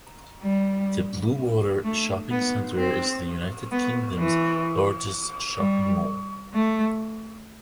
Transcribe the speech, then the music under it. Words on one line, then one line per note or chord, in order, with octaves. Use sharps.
The Bluewater shopping centre is the United Kingdom's largest shopping mall.
G3
A3
B3
C4
B3
E3
G3
A3